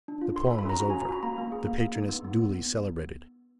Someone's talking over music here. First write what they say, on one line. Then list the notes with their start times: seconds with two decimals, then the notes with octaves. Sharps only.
The poem was over, the patroness duly celebrated.
0.08 D4
0.21 F4
0.36 A4 C6
0.47 B5
0.51 A4
0.59 B5
0.65 C#4 A#5
0.80 F#4 A#5
0.90 C#4 G#5
1.02 A#5
1.09 F#4 B5
1.23 A#3 A#5
1.38 A#3
1.52 G#4
1.67 A#3
1.80 A#3
1.95 D#4
2.09 B3
2.24 B3
2.39 B3